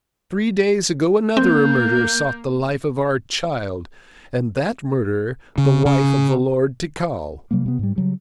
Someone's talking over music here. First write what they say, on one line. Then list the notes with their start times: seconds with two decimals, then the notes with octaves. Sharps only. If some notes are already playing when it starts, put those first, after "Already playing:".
Three days ago another murderer sought the life of our child, and that murderer the wife of the Lord Tikal.
1.37 A#3 C4 G6
5.58 C#3
5.85 C#3
7.51 C3 F#3 G3 A#3
7.66 C3 B3
7.79 G#2 G3
7.96 C#3 F#3 G3